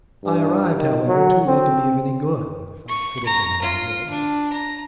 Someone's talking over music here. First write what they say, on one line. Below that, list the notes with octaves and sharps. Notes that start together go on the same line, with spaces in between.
I arrived, however, too late to be of any good if I could have been of any good.
G2
D#3
F#3
C4
C#6
A#5
F4
D4
A#5